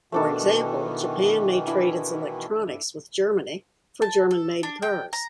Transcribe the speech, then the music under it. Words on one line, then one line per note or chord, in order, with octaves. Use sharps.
For example, Japan may trade its electronics with Germany for German-made cars.
B2 D#3 E3 A3 D4 A4
D4 E4 B5
G2
A5
A4
D4
G5
A#5